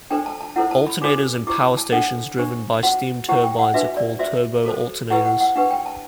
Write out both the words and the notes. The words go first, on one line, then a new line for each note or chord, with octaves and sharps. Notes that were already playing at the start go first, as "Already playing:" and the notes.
Alternators in power stations driven by steam turbines are called turbo-alternators.
D4 A4 C5 G5
A5
A5
E4 A4 C5 F#5
A5
B5
D4 F#4 A4 C5 D6
E4 G4 C5 D6
A5
D4 A4 C5 F#5
D4 G4 C5
F#4 C5 F#5
E4 G4 C5 F#5
G5
F#5
D4 F#4 B4 E5
D5
F#4 C5 E5
F#4 A4 C5
E4 G4 B4 F#5
F#5
F#5
D4 G4 B4 F#5
G5
A5